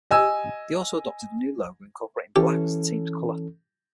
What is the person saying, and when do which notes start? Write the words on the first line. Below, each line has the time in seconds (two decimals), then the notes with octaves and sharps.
They also adopted a new logo incorporating black as the team's colour.
0.11 D#5 G#5 E6
2.36 E3 C#4 G4 A4